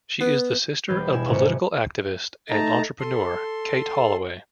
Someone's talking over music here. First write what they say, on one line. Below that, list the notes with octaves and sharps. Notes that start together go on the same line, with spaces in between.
She is the sister of political activist and entrepreneur Kate Holloway.
B3
E1 G3 B4 G6 C7
B2 E4 G#5 E6 E7
G#1 C3 C#6
A3 D#4 A5 A#5
A4 C6